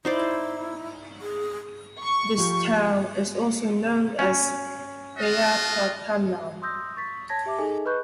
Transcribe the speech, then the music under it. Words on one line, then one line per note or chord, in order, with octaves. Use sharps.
This town is also known as Balyapattanam.
D#4 E4 C5 D5
G#4
C#6
F3 F4 G4
C#4
F4 F#4 D#5
C6 D#6 E6 G6 A#6
C#6 A6 B6
C#5 A5 G#6 A#6 B6
G4 E5 A5 D6
D#4 G#4 A4 D#5 G#5
B4 D#5 B5 C#6 F#6 G6